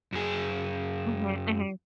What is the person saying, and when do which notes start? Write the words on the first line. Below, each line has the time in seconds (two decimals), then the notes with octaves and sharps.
Mhm. Mhm.
0.13 F#2 G#4